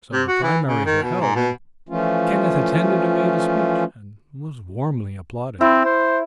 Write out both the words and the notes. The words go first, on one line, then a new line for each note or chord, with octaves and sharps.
So the primaries were held and Kenneth attended and made a speech, and was warmly applauded.
C3
F#4
E3
C#3
D#3
B2
G#2
B2
E3 F3 A3 C#4 F4
C4 E4
C5